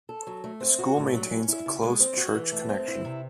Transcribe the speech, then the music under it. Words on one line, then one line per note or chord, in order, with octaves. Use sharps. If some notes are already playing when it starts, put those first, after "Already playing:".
The school maintains a close church connection.
A4
F#3
A3
C4
F#4
A2
F#3
C#4
E4
C#3
G#3
C4
F#4
E3
A3
C4
E4
C3